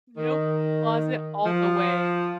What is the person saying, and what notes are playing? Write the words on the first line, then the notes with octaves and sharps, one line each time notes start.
Nope, closet all the way.
D#3
F3